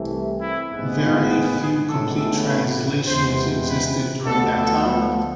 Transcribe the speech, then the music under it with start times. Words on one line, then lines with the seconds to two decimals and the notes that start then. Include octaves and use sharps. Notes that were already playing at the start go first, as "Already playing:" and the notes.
Very few complete translations existed during that time.
Already playing: C2 C3 E3 A3
0.41 E4
0.70 A1 G#2 G#3 B3
1.01 F4
1.60 G#4
1.88 A1 A2 G#3 B3 A4
2.18 A4
2.48 B4
3.07 E2 C3 G#3 B3 C5
3.67 B4
4.26 D2 D3 F3 B3 A4
4.56 A4